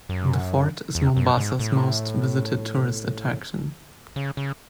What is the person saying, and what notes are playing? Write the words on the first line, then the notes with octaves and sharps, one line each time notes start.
The fort is Mombasa's most visited tourist attraction.
F#2
E2
F#2
G#2
A2
C#3
C#3